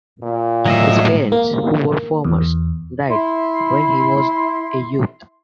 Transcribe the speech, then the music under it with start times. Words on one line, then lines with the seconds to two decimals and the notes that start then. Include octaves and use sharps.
His parents, who were farmers, died when he was a youth.
0.23 A#2
0.66 A2 F#3 D#5 E5
1.32 A#3
2.25 E2
3.09 E4 C6